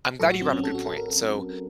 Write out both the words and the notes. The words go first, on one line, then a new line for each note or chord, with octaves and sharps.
I'm glad you brought up a good point. So,
A1 A2 F#3 A4
F#4
C4
C#4
A4
F#4
A4
A#4
A4